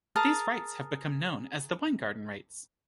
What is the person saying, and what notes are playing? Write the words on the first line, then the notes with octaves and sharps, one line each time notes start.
These rights have become known as the Weingarten Rights.
G#4 A#4 A5